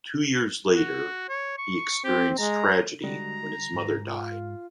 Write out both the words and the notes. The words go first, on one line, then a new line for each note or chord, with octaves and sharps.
Two years later, he experienced tragedy when his mother died.
F#4
C#5
C#6
C4 G4
G#3 A#5
D3 G3 G#3 F#4 A#5
G#2
F4